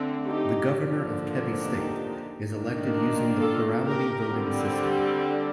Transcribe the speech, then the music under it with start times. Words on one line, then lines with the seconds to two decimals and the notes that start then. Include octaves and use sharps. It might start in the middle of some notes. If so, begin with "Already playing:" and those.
The Governor of Kebbi State is elected using the plurality voting system.
Already playing: D3 A3 C4
0.25 D#4 G4
0.69 D3 F3 A#3 D4
1.59 D#4 G4
2.50 D#3 A#3 D4
3.39 F4 A4
3.84 G4 A#4
4.29 D3 G3 C4
5.19 D4